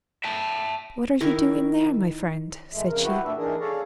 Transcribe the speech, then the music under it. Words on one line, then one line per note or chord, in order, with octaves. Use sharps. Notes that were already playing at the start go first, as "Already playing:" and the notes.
"What are you doing there, my friend?" said she.
E5 G5 A5
D#3 E4 A#4 C#6
A2 E3 G#3 A3
F2 C#3 A#4
B3 E4 F#4 G4 B4
A#2 A3 D4 E5
D#3 E3 D4 G#4 A#4
G#4 A4 C#5 D5 F5 A#5